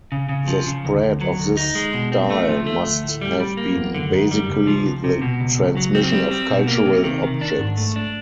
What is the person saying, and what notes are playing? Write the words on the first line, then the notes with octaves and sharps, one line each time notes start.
The spread of this style must have been basically the transmission of cultural objects.
C#3
C#3
F3
C#3
D2
D2
F#3
D2
D#4
G#3
B2
C4
A3
F3
A3
D2
A2
G3
G3
A#3
F#2
D3
F#2
G3
C#2
F3
C#2
C3
B2
C#2
C#2
F#3
C4
G3
C4
B2
A#3
C3
D#3
D#3
D4
G#2
A3
D4